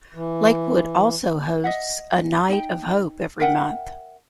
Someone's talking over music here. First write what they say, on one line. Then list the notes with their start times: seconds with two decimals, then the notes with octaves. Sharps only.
Lakewood also hosts a Night of Hope every month.
0.15 E3
1.64 D#5 E5 F#5
2.49 D#4 G5
3.40 A#4 E5 F#5 G5